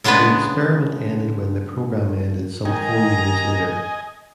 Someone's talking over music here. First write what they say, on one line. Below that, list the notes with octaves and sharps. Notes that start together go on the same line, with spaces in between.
The experiment ended when the program ended some four years later.
C#3 G#3 B3 D4 B4
D#3 D#5 G#5 A#5